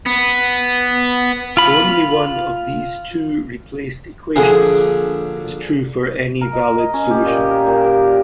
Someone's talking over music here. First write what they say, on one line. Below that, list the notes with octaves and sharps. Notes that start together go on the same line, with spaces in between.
Only one of these two replaced equations is true for any valid solution.
B3
F4 B5
A#1 D3 G#4
A#4
D#5
D#5
C#4
G4
A#2
A#4
A#2
G4